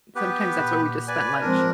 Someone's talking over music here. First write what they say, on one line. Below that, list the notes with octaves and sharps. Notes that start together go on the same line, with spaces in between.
Sometimes that's where we just spent lunch.
B3 G4 B4
A#2
B4 D5 G#5
F3 G#3 C4 D4 A#4